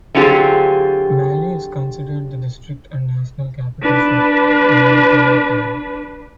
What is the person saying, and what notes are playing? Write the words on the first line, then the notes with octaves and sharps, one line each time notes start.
Malie is considered the district and national capital for the Malietoa clan.
D3 F#3 C4 F4 G4 G#4
D4 B4